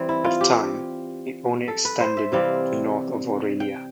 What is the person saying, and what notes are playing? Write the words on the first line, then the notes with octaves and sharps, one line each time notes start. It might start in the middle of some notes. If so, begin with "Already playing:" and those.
At the time, it only extended to north of Orillia.
Already playing: E3 G3 C4
E4
F4
G4
A4
B4
C5
E5
C3 E3 G3 C4 F5
G5